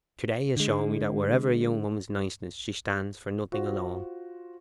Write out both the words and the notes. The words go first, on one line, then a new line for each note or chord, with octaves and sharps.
To-day has shown me that whatever a young woman's niceness, she stands for nothing alone.
D3 G#3
F4 F#4 C5